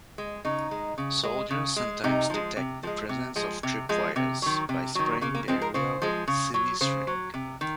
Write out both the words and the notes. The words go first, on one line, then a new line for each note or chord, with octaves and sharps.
Soldiers sometimes detect the presence of tripwires by spraying the area with Silly String.
G#3
C#3 D#4
G#3
C#3
G#3
C#3
G#3
C3 D#4
F3 G#3
C3
F3 G#3
C3
F3 G#3
C3
F3 G#3
C3
D#3 F#3
C3
D#3 F#3
C#3 A#3
A#3
F3 G#3 C4
A#4
C#3 C5
F3 G#3
C#3
F#3
C#3 C5
F#3
C3
D#3